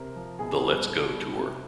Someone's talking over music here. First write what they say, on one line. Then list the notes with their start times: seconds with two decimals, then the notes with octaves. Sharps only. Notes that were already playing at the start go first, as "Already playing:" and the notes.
The Let's Go Tour.
Already playing: C3 A#4
0.16 F3
0.39 B2 G#4
0.63 G3
0.88 B2
1.12 G3
1.36 C3